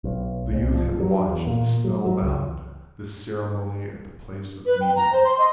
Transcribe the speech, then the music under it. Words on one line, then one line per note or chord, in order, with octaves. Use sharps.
The youth had watched, spellbound, this ceremony at the place of meeting.
B1
C2
F3
F#3
E2
A#2
F#3
F#3
C#2
B4
G5
A#5
C5
C6
D#5